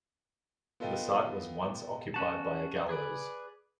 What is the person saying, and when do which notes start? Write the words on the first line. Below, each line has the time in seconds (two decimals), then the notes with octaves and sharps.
The site was once occupied by a gallows.
0.80 B3 F4 A4 D#5 F5 G5
2.14 C#4 F#4 A5
2.89 G#4 B4 D5